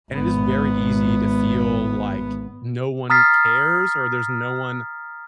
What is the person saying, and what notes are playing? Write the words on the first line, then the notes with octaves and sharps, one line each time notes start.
and it is very easy to feel like no one cares or there's no one,
G#1 B3
A#5 D#6 F6 A6 B6 C7